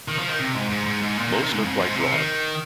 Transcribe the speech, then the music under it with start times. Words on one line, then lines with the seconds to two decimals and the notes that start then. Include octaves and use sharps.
Most are quite broad.
0.08 D#3
0.19 F3
0.29 D#3
0.39 C3
0.55 G#2
0.70 G#2
0.86 G#2
1.02 G#2
1.17 A#2
1.33 C3
1.43 D#3
1.53 G#2
1.64 F2
1.80 G#2
1.96 C3
2.11 D#3